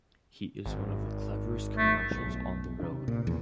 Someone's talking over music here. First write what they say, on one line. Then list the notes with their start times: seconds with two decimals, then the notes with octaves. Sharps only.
He is one of the cleverest commercials on the road.
0.66 G#1
1.77 A3
2.11 B1
2.79 C3 D4
3.08 A#2
3.27 E2